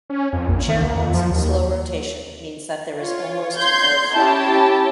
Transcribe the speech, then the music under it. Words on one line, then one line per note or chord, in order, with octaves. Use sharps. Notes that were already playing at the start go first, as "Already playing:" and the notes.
Charon's slow rotation means that there is almost no flattening.
C#4
F2
A#1
D#3
D2
F2
F3
D#2
F4 C#5
C6 G6 G#6
C#4 E4 G4 A5